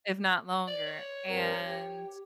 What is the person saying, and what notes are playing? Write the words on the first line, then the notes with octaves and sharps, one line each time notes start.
if not longer, and
D5
C#5
G2 C4 A#4
G4